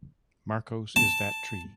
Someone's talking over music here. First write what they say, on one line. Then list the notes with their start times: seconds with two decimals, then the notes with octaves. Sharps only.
Markos is that tree.
0.96 A5